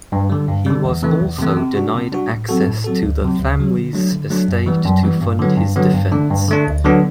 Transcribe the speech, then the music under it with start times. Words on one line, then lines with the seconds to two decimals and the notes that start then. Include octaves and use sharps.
He was also denied access to the family's estate to fund his defence.
0.12 G2
0.30 D3 G3
0.48 G2
0.67 D3 G3
0.84 E2
1.02 C3 E3 A3
1.21 E2
1.39 C3 E3 A3
1.57 C3
1.75 G3 D4 F#4
1.94 C3
2.12 G3 D4 F#4
2.30 A2
2.49 F#3 C4 F#4 A4
2.67 A2
2.84 F#3 C4 F#4 A4
3.03 D2
3.21 C3 F#3
3.39 D2
3.58 C3 F#3
3.76 D3
3.93 F#3 A3 D4
4.12 D3
4.30 F#3 A3 D4
4.48 F#2
4.66 E3 G3 B3
4.85 F#2
5.03 E3 G3 B3
5.21 G2
5.39 D3 F#3 B3
5.57 G2
5.76 D3 F#3 B3
5.94 G2
6.12 D3 A3 D4
6.30 G2
6.48 D3 A3 D4
6.67 D2
6.85 D3 F#3 B3 D4